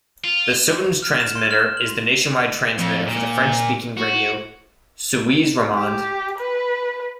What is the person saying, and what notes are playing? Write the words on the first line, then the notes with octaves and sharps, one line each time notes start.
The Sottens Transmitter is the nationwide transmitter for the French-speaking Radio Suisse Romande.
F4
F6
E7
C6
F6
F#7
F2
A#2
F#4
G4
B4